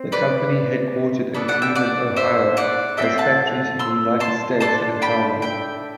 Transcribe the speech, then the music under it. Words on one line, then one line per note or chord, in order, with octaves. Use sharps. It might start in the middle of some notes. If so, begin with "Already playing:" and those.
The company, headquartered in Cleveland, Ohio has factories in the United States and China.
Already playing: C4
B4 D5
B3 D4 A4 B4 D5
D5 F#5
E5 G5
D5 F#5
C5 E5
D5 F#5
C4 F#4 A4 E5 G5
F#5 A5
C6 E6
A5 C6
D4 A4 A5 C6
G5 B5
E5 G5